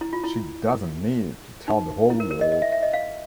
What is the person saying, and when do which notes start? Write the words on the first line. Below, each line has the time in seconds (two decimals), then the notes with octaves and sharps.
She doesn't need to tell the whole world.
0.01 E4
0.13 F4
0.24 E4
1.68 D#4
2.10 E4
2.20 A#4
2.31 A#4
2.41 D#5
2.52 D#5
2.62 E5
2.73 E5
2.83 D#5
2.93 F5